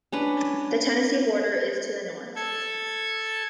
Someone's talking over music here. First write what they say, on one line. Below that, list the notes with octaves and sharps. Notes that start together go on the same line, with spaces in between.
The Tennessee border is to the north.
C#4 D4 B4
A4 G#6